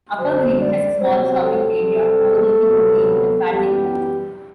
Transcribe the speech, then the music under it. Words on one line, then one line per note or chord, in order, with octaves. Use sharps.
Upper Green has a small shopping area overlooking the green and paddling pool.
F#2 D3 F#3 C5
D5
C3 F#3 C4 C5
A4
C3 G3 C4
D2 C3 F#3 B3
F#2 E3 G3 B3 G4